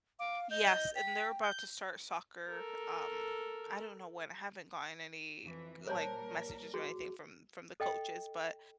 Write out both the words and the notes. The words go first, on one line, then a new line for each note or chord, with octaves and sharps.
Yes, and they're about to start soccer, um I don't know when. I haven't gotten any g like, messages or anything from from the coaches, but
F5 D6
D#5 G6
G5 B6
G6
A4 A#4
F2 E3
A#2 G3 A#4 C5 C#5 A5
F#4 G#4
A4 D#5 G5